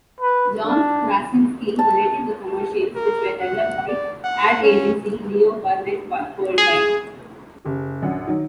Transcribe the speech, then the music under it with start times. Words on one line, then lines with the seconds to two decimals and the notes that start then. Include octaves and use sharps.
John Krasinski narrated the commercials, which were developed by ad agency Leo Burnett Worldwide.
0.20 B4
0.64 D4
1.79 A5
2.95 A#4
3.40 F#5
3.88 D5
4.24 F#5
4.63 C#4
6.58 G#4
7.65 F#1 G4
8.02 A#1 F#2 F#3 F#5
8.27 D#3 F#3